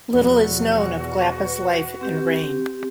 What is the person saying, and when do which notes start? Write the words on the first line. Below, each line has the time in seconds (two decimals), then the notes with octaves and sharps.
Little is known of Glappa's life and reign.
0.11 E2 B2 F3 F#4
0.95 B4
2.01 C4 G4